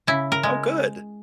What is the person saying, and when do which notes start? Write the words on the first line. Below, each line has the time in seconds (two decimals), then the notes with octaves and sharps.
Oh, good.
0.07 C#3 E4
0.32 A#4
0.43 G#3